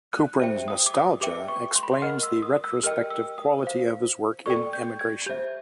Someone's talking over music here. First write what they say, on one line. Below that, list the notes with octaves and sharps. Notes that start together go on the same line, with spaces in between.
Kuprin's nostalgia explains the retrospective quality of his work in emigration.
F#6
G4 C5 E5 G5
D#6
D6
D#6
G4 B4 E5 G5 D6
C#6
C6
B5
C6
A#4 D#5 F#5 F6
E6
D#6
E6
G4 A#4 D#5 G5 F6
E6
D#6
C5 F5
A4 D5 G5 C#6
G6
G#6
G4 C5 E5 G6